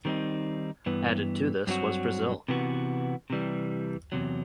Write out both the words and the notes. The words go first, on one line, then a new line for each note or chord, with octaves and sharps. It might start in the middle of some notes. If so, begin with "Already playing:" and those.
Added to this was Brazil.
D#3 G3 C4 D#4
G2 E3 B3
G2 F#3 C4 F#4
C3 E3 B3 F#4
C3 E3 G3
E2 C3 F#3